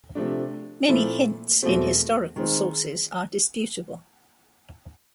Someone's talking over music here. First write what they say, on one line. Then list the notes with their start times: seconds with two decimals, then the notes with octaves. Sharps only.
Many hints in historical sources are disputable.
0.15 C3 F3 A3 D4
0.89 A#2 F3 A3 C4 E4
1.63 E2 B2 F#3 A3 C4
2.36 D#3 G#3 C4